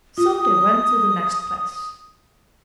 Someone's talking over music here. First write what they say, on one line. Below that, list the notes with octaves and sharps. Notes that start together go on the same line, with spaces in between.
So they went to the next place.
F4 D#6